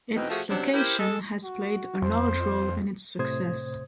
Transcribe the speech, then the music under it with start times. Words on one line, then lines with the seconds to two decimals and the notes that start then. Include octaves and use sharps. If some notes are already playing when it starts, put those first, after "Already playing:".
Its location has played a large role in its success.
0.15 E2 B2 C4 D#4
0.30 F3 A3 F#4 G#4
0.48 C3 F#3 C#4 D4
0.73 E4 G4 A#4 C5
0.99 G#3 A4
1.44 F#4
2.02 F2 C5
3.19 A2 C3 C5 D#6 G#6